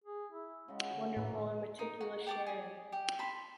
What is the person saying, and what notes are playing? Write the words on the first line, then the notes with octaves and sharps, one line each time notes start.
Wonderful and meticulous sharing.
G#4
E4
C#3 G#3 F#4
D3
A2 E3 E4 A#4
D#4
F#4
G4 A5 D6
G#4
G4
A5 B5 C6